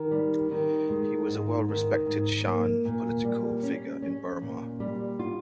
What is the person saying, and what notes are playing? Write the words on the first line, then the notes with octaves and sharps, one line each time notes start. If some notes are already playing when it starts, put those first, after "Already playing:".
He was a well-respected Shan political figure in Burma.
Already playing: D#3
G3
D#3
G#3
G#2
D#3
G#2
A#3
A#2
G3
C#4
C#4
A#2
G3
F4